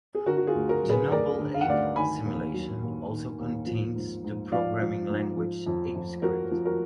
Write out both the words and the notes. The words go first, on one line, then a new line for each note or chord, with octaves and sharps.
The Noble Ape Simulation also contains the programming language, ApeScript.
G#4
D3 F#4 A#4
F#4
F4 G#4
D2
F#4 A#4
F#3
G#4 B4
D2 A#4 D5
D3
F5
F#5
D2 D5 F5
D#3 G#5 B5
D#2
F#3
D#2
D#3
D#2
F3
G#2
G#2
F3 D5 F5
F3
G#2
F3
F2
F2
F3 F#4 A#4
F3
F#4 A#4